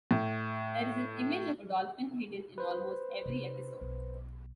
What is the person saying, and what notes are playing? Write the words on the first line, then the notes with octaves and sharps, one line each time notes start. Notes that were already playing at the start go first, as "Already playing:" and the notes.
There is an image of a dolphin hidden in almost every episode.
A2
B4 C5
C3 D#4
B1